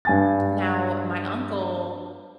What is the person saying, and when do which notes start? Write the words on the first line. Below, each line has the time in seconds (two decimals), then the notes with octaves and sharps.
now my uncle
0.05 G2 G#5 A6